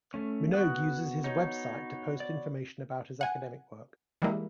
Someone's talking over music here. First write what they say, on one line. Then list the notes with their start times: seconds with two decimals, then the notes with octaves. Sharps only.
Minogue uses his website to post information about his academic work.
0.14 A3 C#4
0.53 B3 F#4 F#6
1.24 D#4 C#5
2.20 D5
3.21 F#5 G#5
4.22 E3 G3 G#3 A#3 E4